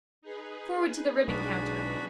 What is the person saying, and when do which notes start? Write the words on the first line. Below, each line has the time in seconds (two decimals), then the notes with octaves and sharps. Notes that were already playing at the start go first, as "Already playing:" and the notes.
Forward to the ribbon counter.
0.22 D#4 G#4 B4
1.28 B1 G#3 D4 F#4 B5